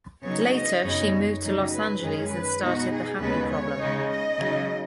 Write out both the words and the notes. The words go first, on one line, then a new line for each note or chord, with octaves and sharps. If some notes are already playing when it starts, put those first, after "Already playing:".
Later she moved to Los Angeles and started The Happy Problem.
C#3 F#3 D#4 C#5
D#5
F#2 C#3 B3 D#4 C#5
C#3 F#3 D#4
B4
F#2 D#3 G#3 C#4 G#4
B4
B2 B3 D#4 F#4
G#4
D#2 C#3 G#3 B3 D#4 B4
C#5
C#3 G#3 D#4
D#5
C#3 F#3 D#4